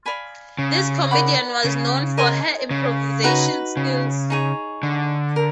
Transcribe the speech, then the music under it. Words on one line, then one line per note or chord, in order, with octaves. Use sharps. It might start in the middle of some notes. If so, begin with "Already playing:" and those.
This comedian was known for her improvisation skills.
D5 F5 G#5 B5
C#3
A#4 D5 F#5 B5
C#3
A#4 D#5 G#5 C6
C#3
D#4 F#4 B4
C#3
D#4 G#4 C#5
D3
A#4